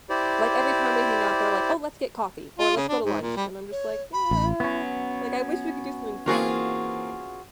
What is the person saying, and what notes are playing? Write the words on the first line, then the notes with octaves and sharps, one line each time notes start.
Like, every time we hang out, they're like, "Oh, let's get coffee," or, "Let's go to lunch." And I'm just like, "Yeah." Like, I wish we could do something fun.
E4 G4 C5 D5
F4
C#3
D4
G#2
A#2
G3
C#5
B5
A1
F#3 B3 C#4
E3 A#3 C4 F4 F#4 G#4